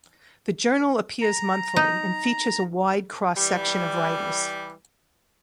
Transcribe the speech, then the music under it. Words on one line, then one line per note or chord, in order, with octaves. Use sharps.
The journal appears monthly, and features a wide cross-section of writers.
A#5
D#4
E3 G3